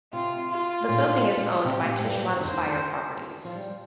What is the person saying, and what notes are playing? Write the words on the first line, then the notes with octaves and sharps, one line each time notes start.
The building is owned by Tishman Speyer Properties.
C3 F4
F4
A#2
C3 G4
A#2
G#2
G2
F3
D#3 C5
F3
G3